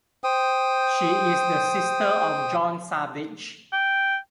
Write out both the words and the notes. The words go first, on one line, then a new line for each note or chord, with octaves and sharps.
She is the sister of John Savage.
C5 G5 D#6
G5